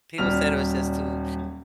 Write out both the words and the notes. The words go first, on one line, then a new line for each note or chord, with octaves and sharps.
People said it was just too
D#1 F#3 G3 F6 F7